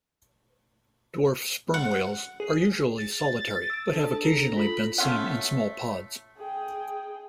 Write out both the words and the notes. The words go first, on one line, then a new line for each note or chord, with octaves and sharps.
Dwarf sperm whales are usually solitary, but have occasionally been seen in small pods.
F#5
G#4
A6
E6 D7
D4 A4 A5
A#5
F4 A4 B5
A3 C#4 F4 F#5
G#4 G5